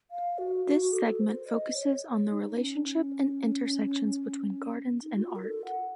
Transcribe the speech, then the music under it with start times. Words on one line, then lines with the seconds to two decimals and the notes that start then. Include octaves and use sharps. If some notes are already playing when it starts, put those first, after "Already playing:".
This segment focuses on the relationship and intersections between gardens and art.
0.11 F5
0.38 F#4
0.66 F#4
0.82 F#4
0.93 A4
1.20 C5
1.48 D#5
1.75 C#5
2.30 D#4
2.58 C#4
5.03 D#4
5.17 F#4
5.23 F4
5.36 A#4
5.44 A4
5.65 F#5